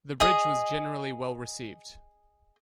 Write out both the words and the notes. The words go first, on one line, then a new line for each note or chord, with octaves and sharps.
The bridge was generally well received.
G#4 D#5 D#6